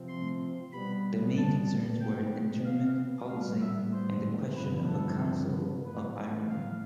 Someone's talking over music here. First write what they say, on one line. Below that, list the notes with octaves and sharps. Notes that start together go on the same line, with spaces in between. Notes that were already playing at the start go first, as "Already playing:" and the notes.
The main concerns were internment, policing and the question of a Council of Ireland.
Already playing: C3 F3 C4
C6
B2 G3 B3 B5
A5
B2 B3 G5
F5
A2 G3 B3 F5
E5
C5
G2 D3 F3 B3 B4
A4
A2 E3 B3 B4
F5